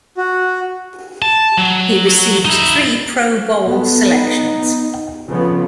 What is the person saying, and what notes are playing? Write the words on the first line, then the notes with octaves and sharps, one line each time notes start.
He received three Pro Bowl selections.
F#4
A5
F#3
D#4 E4
B3 A4
D#4
F2 C#3 F3 B3